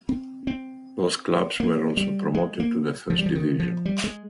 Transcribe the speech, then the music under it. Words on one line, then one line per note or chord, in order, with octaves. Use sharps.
Both clubs were also promoted to the First Division.
C4
C4
A#3
G3
G#3
A#3
F3
G3
F3
D#3
F3
G3
G#3